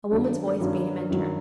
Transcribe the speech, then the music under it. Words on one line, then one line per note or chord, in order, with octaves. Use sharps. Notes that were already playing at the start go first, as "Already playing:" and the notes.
A woman's voice bade him enter.
G2 D#3 F#3
G2 D#3 F#3
G2 D#3 F#3